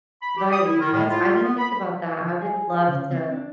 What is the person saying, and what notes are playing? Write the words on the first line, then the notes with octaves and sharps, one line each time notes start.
Right, that's I didn't think about that. I would love to
B5
G4
D#6
E4
D#3
A2
F4
F4
B3
B5
F3
G#4
C#3
C4
D4